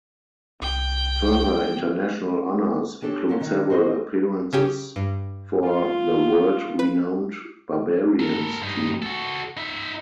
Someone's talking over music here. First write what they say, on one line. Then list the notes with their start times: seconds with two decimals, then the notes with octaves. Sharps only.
Further international honours include several appearances for the world-renowned Barbarians team.
0.62 C2 G5
3.02 E3 D4 G4 A4 C#5
3.29 F#3 A3 A#3 C#4 F4
3.41 D#3
3.70 F#4 G#4 C5 D#5
4.53 C#3 C#4 G4
4.96 G2
5.65 F4
6.79 B4
8.20 A4 A#4
8.62 G2 D#4
9.02 F#4 A4
9.57 D#4 E5